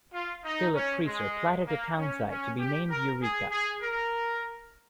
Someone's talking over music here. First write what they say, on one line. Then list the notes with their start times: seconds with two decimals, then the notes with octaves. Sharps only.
Philip Creasor platted a townsite to be named Eureka.
0.13 F4
0.44 D#4
0.74 C#4
1.05 G#3
1.66 A#3
1.98 C#4
2.29 C#4
2.59 G4
2.90 A#4
3.21 G#4
3.51 G#4
3.82 A#4